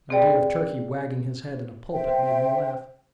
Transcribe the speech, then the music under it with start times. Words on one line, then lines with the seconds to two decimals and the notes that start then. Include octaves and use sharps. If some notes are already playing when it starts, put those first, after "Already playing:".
The idea of Turkey wagging his head in a pulpit made me laugh.
0.10 C4 G#4 D5 G5
1.92 C5 E5 G5